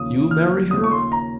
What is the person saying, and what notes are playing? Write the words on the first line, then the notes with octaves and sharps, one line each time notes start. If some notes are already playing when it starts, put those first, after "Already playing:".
"You marry her!"
Already playing: D#2 C#3 F3 D#6
F6
D#2 C#3 F3 D#6
C#6
C6
A#5